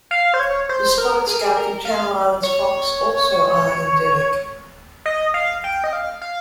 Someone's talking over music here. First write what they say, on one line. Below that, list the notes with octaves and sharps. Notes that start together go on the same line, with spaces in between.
The spotted skunk and Channel Islands fox also are endemic.
F5
C5
C#5
C5
A#4
G#4
A#4
G#4
A#4
F5
C#5
D#5
F5
G5
D#5
F5
F5